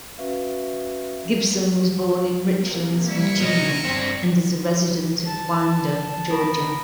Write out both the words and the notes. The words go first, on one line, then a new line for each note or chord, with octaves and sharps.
Gibson was born in Richlands, Virginia, and is a resident of Winder, Georgia.
C#4 F#4 B4 E5 F5
C3 A#3
G3 C#4 E4 C#6
B2 D#4 A#6
G2 C4 D5
A5
B3 A#4